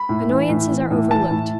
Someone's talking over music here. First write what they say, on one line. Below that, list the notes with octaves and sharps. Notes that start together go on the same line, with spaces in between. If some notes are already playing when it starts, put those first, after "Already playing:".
Annoyances are overlooked.
Already playing: B5
A2
E3
A2
E3
A2
E3 A5
A2